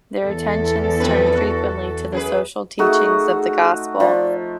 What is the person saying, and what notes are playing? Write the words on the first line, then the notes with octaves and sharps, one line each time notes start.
Their attentions turned frequently to the social teachings of the Gospel.
E2 A4
F3 C4 B4
F#4
F#2 G#4 B4
A3 D#4 F#4 G#4
F3 D5